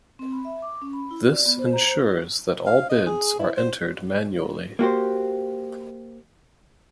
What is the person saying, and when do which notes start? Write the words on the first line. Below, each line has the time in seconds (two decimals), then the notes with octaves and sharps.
This ensures that all bids are entered manually.
0.19 C4
0.32 B5
0.45 E5
0.62 D6
0.82 C#4
0.93 B5
1.11 E4
1.30 D5
1.46 B3
1.59 C5
1.73 A#5
1.87 C5
2.67 F5
2.90 D#5
3.07 G#4
3.39 E4
3.57 C5
4.79 A#3 F#4 G4 C5